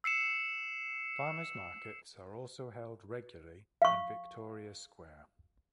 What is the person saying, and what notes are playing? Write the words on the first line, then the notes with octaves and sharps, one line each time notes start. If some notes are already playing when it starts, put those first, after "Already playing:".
Farmers' markets are also held regularly in Victoria Square.
E6 C7 C#7 E7
F5 C#6